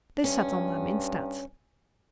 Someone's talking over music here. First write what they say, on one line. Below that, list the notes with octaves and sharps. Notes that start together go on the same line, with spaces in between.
They sat on them, instead.
G2 C#4